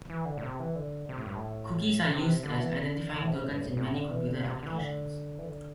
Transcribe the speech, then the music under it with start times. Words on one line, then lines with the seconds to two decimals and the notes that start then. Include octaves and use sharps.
Cookies are used as identifying tokens in many computer applications.
0.10 E3
0.25 D3
0.37 A2
0.43 C3
0.60 E3
0.75 D3
1.09 C3
1.18 A2
1.26 G2
1.35 A2
2.09 C3
2.43 D3
2.60 E3
2.77 D3
3.10 D3
3.22 A2
3.27 C3
3.44 A2
3.52 G2
3.61 A2
3.69 G2
3.77 A2
3.94 D3
4.11 E3
4.27 D3
4.45 C3
4.63 D3
4.67 E3
4.78 D3
5.39 E3
5.45 D3